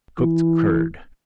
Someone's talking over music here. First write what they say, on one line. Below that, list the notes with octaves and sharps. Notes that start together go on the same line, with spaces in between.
Cooked curd.
E3